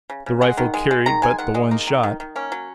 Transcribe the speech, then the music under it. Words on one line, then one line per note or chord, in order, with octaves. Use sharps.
The rifle carried but the one shot.
C#3
C#3
G#3 F#5
D#3
G#3
G#3
D#3 A#5
G#3 G#5
D#3 F#5
G#3 D#5
A#3 D#4
D#3
D#3
D#3
A#3 C#4
F#3